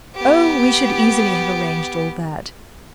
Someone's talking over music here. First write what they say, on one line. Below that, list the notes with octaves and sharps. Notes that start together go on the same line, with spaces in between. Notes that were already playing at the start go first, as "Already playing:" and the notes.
'O, we should easily have arranged all that.
B3 G4